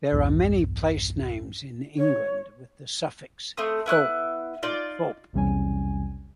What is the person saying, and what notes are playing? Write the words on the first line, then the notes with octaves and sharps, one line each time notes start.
There are many place names in England with the suffix "-thorp" or "-thorpe".
B1 E2 G2
C#5
A3 C4 D#6
B3 E4 C#6 F#6
D#4 F4 D5
B1 E2 C3 G3 C#4 G#5